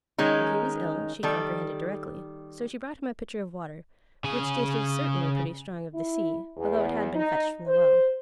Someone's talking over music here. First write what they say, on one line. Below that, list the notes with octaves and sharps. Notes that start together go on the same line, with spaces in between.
That he was ill, she comprehended directly; so she brought him a pitcher of water, which tasted certainly pretty strong of the sea, although it had been fetched from the well.
D#3 G#3 C#4 D#4
D#3 G3 A4
C#3 G#4
E4
E2
D#4
C5